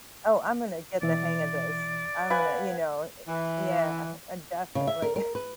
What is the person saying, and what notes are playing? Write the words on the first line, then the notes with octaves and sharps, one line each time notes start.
Oh, I'm gonna get the hang of this. I'm gonna, you know eh Yeah, I I definitely.
B2 E3 D5 E5
B4 F5 F#5 G#5
E3
C#3
E5
A#4
A#4
B4